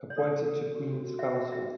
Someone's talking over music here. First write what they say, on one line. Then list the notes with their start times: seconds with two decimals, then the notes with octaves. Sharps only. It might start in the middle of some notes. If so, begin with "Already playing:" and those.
Appointed to Queen's Council.
Already playing: C5
0.10 C#5
0.16 A4 D5
0.42 A4
0.67 F#4
0.93 F#4
1.18 F#4 E5
1.35 E5
1.44 F#4
1.52 E5